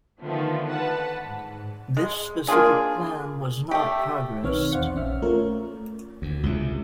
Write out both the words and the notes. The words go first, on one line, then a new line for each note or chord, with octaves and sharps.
This specific plan was not progressed.
D3 D#3 F3 A3 B3
B4 F#5 A5
G#2
G#3
A#3 D4 F4 G#4
A3 G4
B1 D#3 C4 B4 C#5 F6
E2 C5 D5 F5 F#5 C#7
A#1 C#4 E5 F6
A3 F4 A#4 C#5
D2
C#2 C3